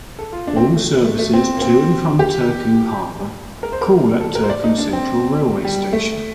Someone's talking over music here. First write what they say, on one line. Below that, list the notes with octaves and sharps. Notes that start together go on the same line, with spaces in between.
All services to and from Turku Harbour call at Turku Central railway station.
A4
F4
D4
C4
A3
A3
A3
A3
C4
A#3
C4
G4
A#4
C5
A#4
A4
A#4
C5
D5
D#4
D4
C4
G3
A3